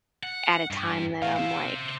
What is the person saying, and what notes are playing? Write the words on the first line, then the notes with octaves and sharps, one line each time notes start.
at a time that I'm, like,
F#5
G2
A2 F5
C5 E5